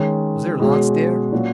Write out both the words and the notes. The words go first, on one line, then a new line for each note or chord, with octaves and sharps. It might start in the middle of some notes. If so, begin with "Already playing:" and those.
Was there lots there?
Already playing: D#3 G#3 C#4
B2 G#3 C#4 G#4
A#2 F#3 C#4 F#4